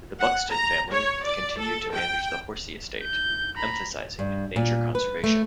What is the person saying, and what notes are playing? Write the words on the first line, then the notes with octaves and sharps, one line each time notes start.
The Buxton family continue to manage the Horsey estate, emphasising nature conservation.
F#5
A#5
C#5
D5
A4
G5
G6
A#5 B5
G2
A#2
B4
A3